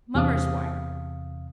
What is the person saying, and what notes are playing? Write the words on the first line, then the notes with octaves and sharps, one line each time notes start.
Mummer's wire.
E2 C3 F5 D#6